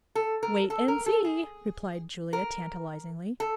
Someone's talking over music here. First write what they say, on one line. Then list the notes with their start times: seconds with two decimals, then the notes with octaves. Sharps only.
"Wait and see," replied Julia tantalizingly.
0.15 A4
0.43 A#4
0.70 A4
0.88 A#4
1.06 A4
1.25 G#4
2.33 A#4
3.40 A4